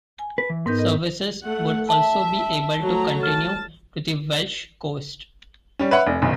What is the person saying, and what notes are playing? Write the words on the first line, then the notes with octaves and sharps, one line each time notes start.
Services would also be able to continue to the Welsh coast.
G#5
B4
E3
G#2 B3 D#4 A#4 G6
A4 A#4 D#5
A3 F#5
E5 A5
F#3 A3 A#5
A5 F6
G3 C#4
B4 C#5 E5 F#5 B5
F1
F#1 B1 C3 D#3